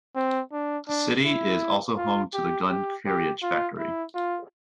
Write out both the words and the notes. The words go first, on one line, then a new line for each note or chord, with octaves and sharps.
The city is also home to the Gun Carriage Factory.
C4
D4
D4
E4
F4
G4
G4
G4
F4
E4
F4